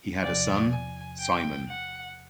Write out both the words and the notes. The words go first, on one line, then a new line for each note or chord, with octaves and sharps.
He had a son, Simon.
E2 C3 F3 D5
G#5
G5
F#5